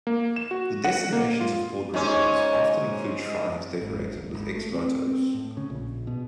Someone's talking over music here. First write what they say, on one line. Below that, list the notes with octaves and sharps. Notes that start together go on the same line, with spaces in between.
The destinations of pilgrimages often include shrines decorated with ex-votos.
A#3
E7
F#4
F#5
A#3
F4
G#2 C#4
G#1
D1
G#1
A3
C4
C4
A2
C#3
A#1
B2